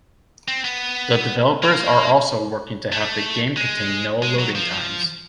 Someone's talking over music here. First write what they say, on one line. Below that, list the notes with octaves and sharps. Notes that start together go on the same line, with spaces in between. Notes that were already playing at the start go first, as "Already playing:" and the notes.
The developers are also working to have the game contain no loading times.
C4
B3
A#3
A3
G#3
G#3
F#3
F3